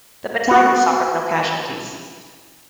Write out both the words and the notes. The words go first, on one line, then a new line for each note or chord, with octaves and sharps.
The battalion suffered no casualties.
F#4 F#5